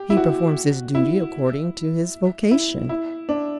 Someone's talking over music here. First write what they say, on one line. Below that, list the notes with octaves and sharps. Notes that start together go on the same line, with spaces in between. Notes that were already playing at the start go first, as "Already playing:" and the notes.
He performs his duty according to his vocation.
Already playing: G4
E4
F#4
E4
E4
E4
D4